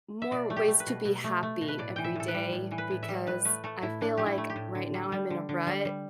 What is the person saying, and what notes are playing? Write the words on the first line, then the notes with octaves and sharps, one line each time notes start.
more ways to be happy every day because I feel like right now I'm in a rut,
E5
B2 D5
A3
G4
A3
B4
B2
B2
A3
A3
B2
B4
A2 D5
E3 G5
E5
A2 A4
B4
G3
A2
E3
B4
A2
E5
G3
A2 B4
A3 B4
A3 A4
A2 E4
A2 D4
A3 G4
E4
A3
G4
A2
D3
G3
G3
D3
D3
G3
G3